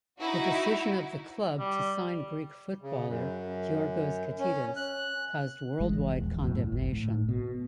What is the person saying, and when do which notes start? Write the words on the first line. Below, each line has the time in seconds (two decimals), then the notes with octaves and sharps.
The decision of the club to sign Greek footballer Giorgos Katidis caused worldwide condemnation.
0.18 D#4 E4 F#4
1.60 G3
2.82 C#3
3.07 F#2
4.39 C#4
4.76 F#6
5.80 G#1 E3 G#3
6.13 D#1 A#1 E2
6.42 C#2 F#2 A2 F3
6.72 G1
6.92 A2
7.29 B2